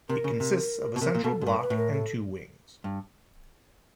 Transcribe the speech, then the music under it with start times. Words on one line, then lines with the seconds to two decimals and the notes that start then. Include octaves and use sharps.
It consists of a central block and two wings.
0.09 C3 A#4
0.24 C#3
0.40 C3
0.96 B2
1.01 C3 A#4
1.15 A#2
1.24 B2 A4
1.41 G#2
1.46 G2 A#4
1.58 C5
1.62 B4
1.70 A2
1.77 A#4
1.93 A4
2.84 G2